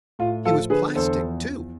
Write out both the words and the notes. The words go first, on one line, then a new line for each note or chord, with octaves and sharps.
He was plastic, too.
A2 F4
F3 F4 A4
D3 G#4 B4
E2 A4 C5
F3
E2